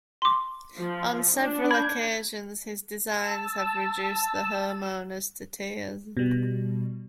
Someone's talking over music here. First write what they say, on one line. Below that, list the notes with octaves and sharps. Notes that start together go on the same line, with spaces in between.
On several occasions, his designs have reduced the homeowners to tears.
C6 D6
F3
D4
B5 G6 G#6
A5 E6
B2 G3